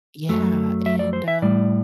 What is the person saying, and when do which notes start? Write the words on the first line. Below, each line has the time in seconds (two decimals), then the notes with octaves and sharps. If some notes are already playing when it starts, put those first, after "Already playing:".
yeah, and, um,
0.29 F#2 F#3 A3
0.86 E5
0.99 D5
1.13 C5
1.28 E5
1.42 A2 G3 D5